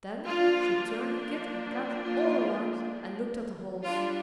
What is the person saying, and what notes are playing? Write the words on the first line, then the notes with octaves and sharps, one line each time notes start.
Then she turned Kit and Kat all around and looked at the holes.
F3 A#3 D4 F4
F4
G3 D4 F4